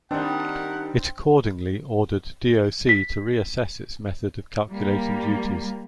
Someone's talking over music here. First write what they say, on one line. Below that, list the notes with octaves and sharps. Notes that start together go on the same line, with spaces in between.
It accordingly ordered DoC to reassess its method of calculating duties.
D#3 G3 C4 D4 A#4 F#5
B6
G3 A#3